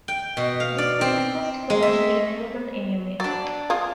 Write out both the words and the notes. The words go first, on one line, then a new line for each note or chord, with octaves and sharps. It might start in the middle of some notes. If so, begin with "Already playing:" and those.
This was the first commercially available emulator.
G5
B2
F5
D5
C4
G#3
E5
F#3 D4 D5
F4 G#4